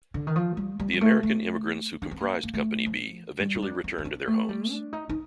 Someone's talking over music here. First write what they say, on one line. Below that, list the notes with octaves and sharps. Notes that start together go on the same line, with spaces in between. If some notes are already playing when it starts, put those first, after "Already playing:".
The American immigrants who comprised Company B eventually returned to their homes.
D3
D#3
F3
G3
G3
G3
A3
A3
D4
C4
A#3
A#3
A3
F3
G3
D#4
D4
C4
C4
D4
A3
G3
D4
D#4
D#4